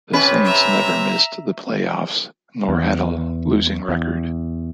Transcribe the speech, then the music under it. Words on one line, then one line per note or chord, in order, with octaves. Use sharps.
The Saints never missed the playoffs nor had a losing record.
C3 C#4 B4
E5 A#5
E2
E2